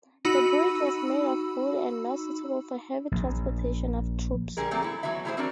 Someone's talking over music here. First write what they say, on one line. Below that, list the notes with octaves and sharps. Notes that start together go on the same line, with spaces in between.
The bridge was made of wood and not suitable for heavy transportation of troops.
D#4 F#4 B5 E6
A#1
D3 G3 G#4 A#4
F#3 G3 A3 A#3 C4
E4 A4
B2 E3 F#3 E4 E5
G3 A3 E4 F#4 G#4 C5
C4 D4 F#4 A#4 D5